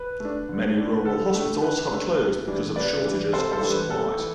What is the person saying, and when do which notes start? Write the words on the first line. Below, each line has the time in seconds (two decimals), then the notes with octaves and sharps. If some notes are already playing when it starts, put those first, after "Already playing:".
Many rural hospitals have closed because of shortages of supplies.
Already playing: B4
0.20 A3 D4
0.49 D3
0.77 A3 D4
0.99 B4
1.05 D3 A4
1.34 A3 D4
1.62 D3 B4
1.91 A3 D4
2.19 C3
2.48 E3 G3 D4
2.76 C3 B4 D5
3.05 E3 G3 D4
3.33 C3 A4 C5
3.52 A4 C5
3.61 E3 G3 D4
3.71 B4
3.90 C3 A4
4.18 E3